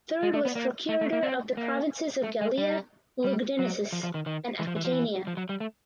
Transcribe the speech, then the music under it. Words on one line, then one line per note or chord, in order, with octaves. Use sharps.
Third was procurator of the provinces of Gallia Lugdunensis and Aquitania.
G#3
A3
B3
A#3
A3
A3
A#3
C4
A#3
A3
G#3
G3
G3
F#3
F3
F3
D#3
D#3
E3
F3
E3
F3
E3
F3
F#3
G3
A3